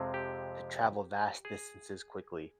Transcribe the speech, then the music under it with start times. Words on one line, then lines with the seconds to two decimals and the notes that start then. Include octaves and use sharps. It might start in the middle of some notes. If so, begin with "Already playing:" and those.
to travel vast distances quickly.
Already playing: F2 C3 F3 G#3 C4
0.14 G4
1.45 G#4